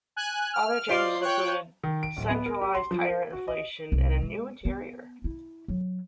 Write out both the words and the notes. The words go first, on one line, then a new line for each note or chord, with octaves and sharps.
Other changes included centralized tire inflation and a new interior.
G#5 F#6
F6
F4 C5 D5 D#5 C6
C#5 G5 F#6
D#3
D7
D1
B3
A#4
G4
C6
F3
A#4
F#4
D#5
C2
G#3
B3
E4
F#3